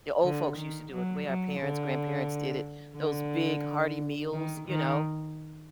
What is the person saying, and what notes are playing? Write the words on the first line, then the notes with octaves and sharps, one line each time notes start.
the old folks used to do it, the way our parents, grandparents did it, those big hearty meals, you know,
D3
D#3
F#3
F#3
D3
D3
D#3
D#3